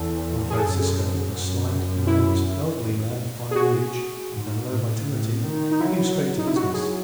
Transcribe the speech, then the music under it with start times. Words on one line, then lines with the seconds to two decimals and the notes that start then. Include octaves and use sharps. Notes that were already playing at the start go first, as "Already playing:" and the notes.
Don Francisco, a slight, nervous, elderly man of high lineage and low vitality, came straight to business.
Already playing: E2 A4
0.50 G#4
0.57 F#2 A4
1.31 F#2
2.07 E4
3.51 G#4
3.55 F#4
4.31 G#2
4.69 A2
5.06 A2
5.43 D#3
5.71 D#4
5.80 F#3 E4
6.38 D#4
6.47 E4
6.55 F#3 F#4
6.74 G#4